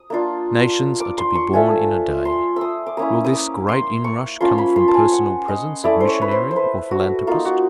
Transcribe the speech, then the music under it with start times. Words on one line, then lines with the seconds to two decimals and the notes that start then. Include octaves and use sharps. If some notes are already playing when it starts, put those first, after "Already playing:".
"Nations are to be born in a day." Will this great inrush come from personal presence of missionary or philanthropist?
Already playing: D#6
0.10 A#3 D4 F4
1.00 D6
1.18 C6
1.35 C#6
1.53 F3 A3 D4 F4 G#5
2.25 C6
2.56 D#6 E6
2.86 D6
2.97 A#3 C#4 E4 D#6
3.24 D#6
3.33 D6
3.69 C6
4.04 C#6
4.40 F3 A#3 C#4 F4 C6
4.58 B5
4.76 C6
4.88 A5
4.94 G#5
5.12 F#5
5.48 D#5
5.84 A3 C#4 E4 D5
6.00 C5
6.07 C#5
6.22 B4
6.31 C5
6.51 C5
6.56 B4
6.91 F#4
7.27 A#3 D#4 F4
7.45 F#4